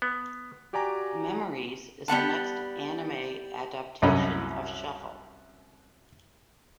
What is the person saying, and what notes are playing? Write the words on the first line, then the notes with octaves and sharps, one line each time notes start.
Memories" is the next anime adaptation of "Shuffle!
B3
F#4 G4 D5 G#5 A#5 D6
G3 B3 F#5 A5
C2 F#2 C#4 D#5 A#5 B5